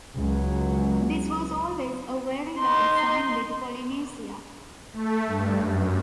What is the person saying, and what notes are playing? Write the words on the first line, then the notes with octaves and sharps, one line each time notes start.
This was always a very bad sign with Polynesia.
C#2 F#3
D#4 C6
A3
G2
F#2